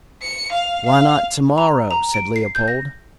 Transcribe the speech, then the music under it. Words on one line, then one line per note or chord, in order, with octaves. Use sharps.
"Why not to-morrow?" said Leopold.
C#7
F5
F5
A#5
A#5
D7
C7
G6
A#6